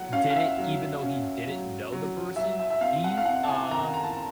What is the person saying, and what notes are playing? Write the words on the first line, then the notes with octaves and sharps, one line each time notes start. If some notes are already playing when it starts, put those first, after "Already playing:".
did it, even though he didn't know the person he, uh,
Already playing: F#3 F#5
C#4 F5
F5
E5
F#3
C#4
F#3
F#3
F#3 E5
E5
E5
C4 F5
F#5
F5
C4 F#5
A5
G#5
D#3 A#5
A#5
A5
A#5